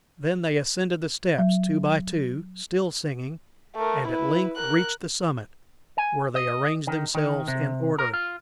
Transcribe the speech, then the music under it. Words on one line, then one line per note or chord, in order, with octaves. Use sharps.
Then they ascended the steps, two by two, still singing, and at length reached the summit, where they arranged themselves in order.
F#3
A3 A#4
E4 B4
A#4 F#6
G#5
D#5
D#3
D#3
C3
A#4
F4